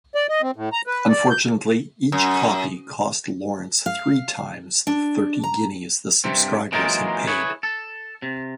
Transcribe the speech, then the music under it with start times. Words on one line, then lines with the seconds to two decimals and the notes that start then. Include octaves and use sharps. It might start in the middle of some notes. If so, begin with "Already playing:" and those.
Unfortunately, each copy cost Lawrence three times the thirty guineas the subscribers had paid.
0.15 D5
0.29 D#5
0.42 C4
0.56 A2
0.72 A#5
0.87 B4
1.08 D5
1.30 G6
2.12 F#2
3.86 F5
4.87 D4
5.44 A#5
6.24 G2 C3 C4
6.72 E3 F#3 G#3 A#3 D#4 F4
7.27 E4 G#4 B4 C#5
7.63 A4
8.22 C3